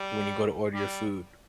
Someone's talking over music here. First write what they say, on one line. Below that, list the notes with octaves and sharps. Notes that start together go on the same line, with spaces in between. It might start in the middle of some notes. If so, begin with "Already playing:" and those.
when you go to order your food,
Already playing: G3
G3